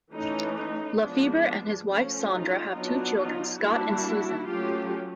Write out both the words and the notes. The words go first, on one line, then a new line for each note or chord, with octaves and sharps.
LaFeber and his wife, Sandra, have two children, Scott and Suzanne.
E3 A3 C#4 D#4
D#4
F3 G#3 B3 D4
F3 A3 C#4
D#4 F4
F#3 B3 D4 D#4 F4
D#4 F4
G3 A#3 D4 E4 F#4
F#3 A3 C#4 F4 G4